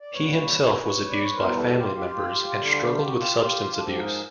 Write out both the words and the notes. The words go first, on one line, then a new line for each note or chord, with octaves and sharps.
He himself was abused by family members and struggled with substance abuse.
D5
A#2 G3 B4 C#5
D5
C#5
E2 B2 G3 A#4 C5
A4 B4
F4 G4
F4 G4
D2 D3 G3
F4
F#4
F4 G4
G#2 F3 G4 A4
G#4 A#4